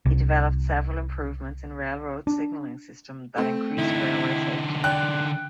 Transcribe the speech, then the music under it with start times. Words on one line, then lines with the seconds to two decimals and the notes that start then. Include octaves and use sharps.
He developed several improvements in railroad signalling system that increased railway safety.
0.06 C2
2.27 D4
3.36 A3 C4
3.78 D3 D#4 E4
4.84 D5 G5 F#6